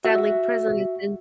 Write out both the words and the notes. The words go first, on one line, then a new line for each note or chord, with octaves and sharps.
deadly prison is in
F#4 E5